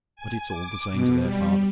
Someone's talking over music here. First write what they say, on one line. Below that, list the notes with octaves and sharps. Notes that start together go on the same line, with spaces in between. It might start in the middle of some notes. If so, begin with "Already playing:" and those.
But it's all the same to their father.
G#5
D6
B2
G3